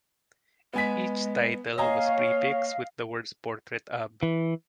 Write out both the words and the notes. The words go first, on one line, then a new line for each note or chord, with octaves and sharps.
Each title was prefixed with the words "Portrait of".
G#3 B3 G#5 B6
A#3 C#5 D#5 F5 G#5 A#5
E3